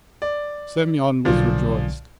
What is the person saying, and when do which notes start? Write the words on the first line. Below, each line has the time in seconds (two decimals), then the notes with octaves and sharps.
Semyon was rejoiced.
0.22 D5
1.25 B1 A#2 D3 F3